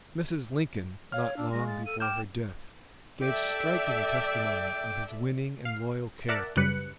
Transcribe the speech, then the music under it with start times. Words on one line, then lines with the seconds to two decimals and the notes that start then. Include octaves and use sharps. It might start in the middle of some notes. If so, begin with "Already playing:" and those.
Mrs. Lincoln, not long before her death, gave striking testimony of his winning and loyal character.
1.12 C#5 F5 F6
1.37 D4 E6
1.52 G#3 A#6
1.68 A6
1.86 A4 D#7
2.00 G5 D6 F6 G6 E7
3.21 A4 D5 E5 G5 D6
5.65 F5
6.28 A#4 D5 E5 F#5 A5
6.56 F#2 C#3 G3 B4 F#6 C#7